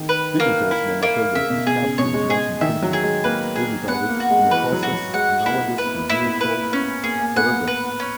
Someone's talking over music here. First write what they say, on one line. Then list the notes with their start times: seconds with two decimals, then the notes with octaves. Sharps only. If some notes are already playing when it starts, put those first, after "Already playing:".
Digital cinematography captures motion pictures digitally in a process analogous to digital photography.
Already playing: D#3
0.09 B4
0.40 A#3
0.71 E4
1.03 A#3
1.35 C#3 E5
1.50 B2
1.67 B2 G#4
1.82 C#3
1.98 B2 C#5
2.14 G#3
2.29 G#3 G#4
2.61 D#3 E5
2.82 F#3
2.93 G#4
3.03 G#3
3.24 A#3 B4
3.56 G#4
3.88 B3 F#5
4.09 A#3
4.20 F#4
4.31 G#3
4.51 E3 B4
4.72 F#3
4.83 F#4
4.93 F#3
5.14 G#3 F#5
5.46 A#3 E4
5.78 B4
5.85 B3
5.94 A#3
6.09 A#3 E4
6.25 B3
6.41 A#3 B4
6.61 A#3
6.72 B3 C#4
7.04 A#3 G#4
7.20 A#3
7.36 B3 F#5
7.52 A#3
7.68 B4
8.00 C#4